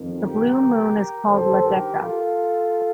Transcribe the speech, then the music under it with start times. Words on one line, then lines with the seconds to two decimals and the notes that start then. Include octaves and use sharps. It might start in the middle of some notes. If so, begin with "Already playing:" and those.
The Blue Moon is called Ladeca.
Already playing: F2 D#3
0.19 G4 A#4
1.27 G2 D#3 A4 C5
1.63 G4 A#4
2.00 F4 A4